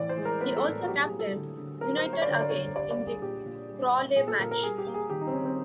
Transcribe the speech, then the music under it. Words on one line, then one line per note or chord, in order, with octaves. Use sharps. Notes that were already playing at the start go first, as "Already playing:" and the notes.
He also captained United again in the Crawley match.
Already playing: A2 E3 D5
C5
G#3
A#4
B3 B4
A4
A2
F#4
F#3 G4
G4
G#4
A#3
A4
D3
D3
F#3 A#4
C5
A#3
C#5
D5
D3 C#5
D5
D3 C#5
G3 D5
D5
A#3
G#4
A#2 G4
A#2
G3
A#3
A#2 G#4
A4
A#2 A#4
A#4
G3 G#4
G4
A#3
G#4
D#3 G4
D#4
C4
D#3 C#4
C4